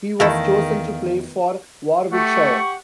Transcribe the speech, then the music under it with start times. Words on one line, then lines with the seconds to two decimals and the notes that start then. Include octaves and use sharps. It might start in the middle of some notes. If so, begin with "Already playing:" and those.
He was chosen to play for Warwickshire.
0.20 E2 D#3 A3 E4 A4 F5
2.12 A3 G4 F#5 C#6